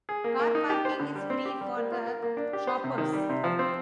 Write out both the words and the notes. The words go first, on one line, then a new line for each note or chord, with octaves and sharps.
Car parking is free for the shoppers.
G#4
A#3
A#3
D#4
G4
C5
D3
G3
C4
G4
G3
A#3
F4
A#4
A#3
D4
G4
C5
C3
D#3
G3
C3
F3
C4